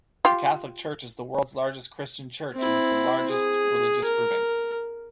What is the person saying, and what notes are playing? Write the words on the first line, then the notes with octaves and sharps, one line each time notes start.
The Catholic Church is the world's largest Christian Church, and its largest religious grouping.
F4 G4
C4 E4
G#4
A#4